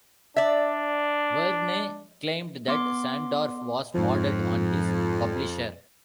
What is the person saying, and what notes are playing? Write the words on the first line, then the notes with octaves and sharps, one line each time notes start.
Verne claimed that Sandorf was modeled on his publisher.
D4 D5 E5
B3 C6 D6
F2 G#2 F3